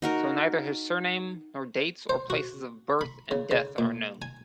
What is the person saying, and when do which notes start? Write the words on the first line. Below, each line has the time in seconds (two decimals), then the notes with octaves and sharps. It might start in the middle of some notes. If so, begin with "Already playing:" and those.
So, neither his surname, nor dates or places of birth and death are known.
0.02 D#4 F#4 A#4
2.09 C5
2.30 F#4
3.01 B5
3.31 C#3
3.51 C#3
3.78 A#2
4.22 G#5